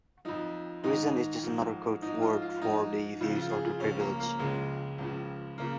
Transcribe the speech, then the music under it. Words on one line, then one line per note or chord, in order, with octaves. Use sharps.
Reason is just another code word for the views of the privileged.
F2 F3 D#4
G#2 D#3 D#4
G#2 F3
G#2 F3 D#4
F4
F4
G#2 F3 D#4
F2 C#3 F3 F4
F4
G#4
F4
C#2 C#3 F3 C#4
A#3
A#3
C#2 C#3 F3 G#3
C#2 C#3 F3
C#3 F3 A#3